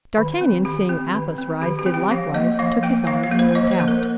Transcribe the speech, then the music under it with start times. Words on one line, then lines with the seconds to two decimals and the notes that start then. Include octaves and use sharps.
D'Artagnan, seeing Athos rise, did likewise, took his arm, and went out.
0.18 D#3
0.41 C4
0.65 D#3 G4
0.89 C4
1.14 D#3
1.38 C4
1.62 D#3 G4
1.79 G4
1.86 C4
1.94 G5
2.11 F3 F5
2.34 A#3 D#5
2.59 F3 F5
2.83 A#3 G5
3.07 F3 F5
3.23 F5
3.31 A#3
3.39 C5
3.55 F3 D#5
3.71 C5
3.80 A#3
3.88 A#4